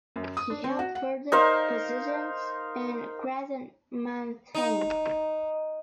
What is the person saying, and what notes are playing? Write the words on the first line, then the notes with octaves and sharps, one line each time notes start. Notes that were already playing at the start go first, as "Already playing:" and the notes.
He held further positions in Graz and Mannheim.
F#2
D#6
D4
C4
F#4
F#5
D#4 A#4 C5 F5
D#4